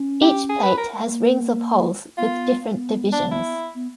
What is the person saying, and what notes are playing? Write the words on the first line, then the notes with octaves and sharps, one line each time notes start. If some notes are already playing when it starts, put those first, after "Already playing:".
Each plate has rings of holes with different divisions.
Already playing: C#4
G4
G#4
B4
A#4
A#3
B3 F4
B3
D4
E4
B3